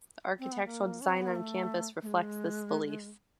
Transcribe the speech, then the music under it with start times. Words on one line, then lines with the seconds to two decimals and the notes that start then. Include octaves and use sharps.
The architectural design on campus reflects this belief.
0.39 C4
0.52 B3
0.65 A#3
1.01 C#4
1.09 C4
1.18 B3
1.27 A#3
1.36 A3
2.02 A3
2.07 G#3